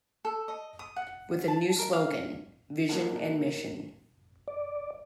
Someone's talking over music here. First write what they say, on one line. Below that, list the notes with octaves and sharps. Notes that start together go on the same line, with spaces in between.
With a new slogan, Vision and Mission.
A4
D#5
D#6
F#5
A5
A#4
F5
A#3 D#4 F#4 A#4 F#5 A5
D5